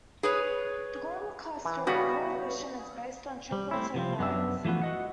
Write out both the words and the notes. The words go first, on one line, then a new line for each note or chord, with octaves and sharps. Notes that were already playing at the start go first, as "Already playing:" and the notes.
The global clustering coefficient is based on triplets of nodes.
G#4 B4 C#5
E3
C#3 G3 B3 F#4
G3
A3 C4 E4
C3 F3 C4
F#2 B3 D4 E5
E3 F3 A3 B3 F#4
F#4 D#5 F#5